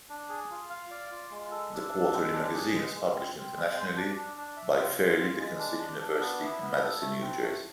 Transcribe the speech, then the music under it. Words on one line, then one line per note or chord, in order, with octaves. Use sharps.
The quarterly magazine is published internationally by Fairleigh Dickinson University in Madison, New Jersey.
D4
G#4
F4
F5
D5
F4
G#3
A4
D4
A4
G#3
D4
G#4
G#3
G#3
C4
C4
G#3
C5
D4
D4
D4
E5
F4
F4
F4
G#3
D4
D4
D4
B3
E4
B3
A4
A3
C4
A3